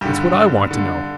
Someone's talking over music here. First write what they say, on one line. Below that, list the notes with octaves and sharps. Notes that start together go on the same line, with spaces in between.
'That's what I want to know.
G2 D3 G4
G2 D3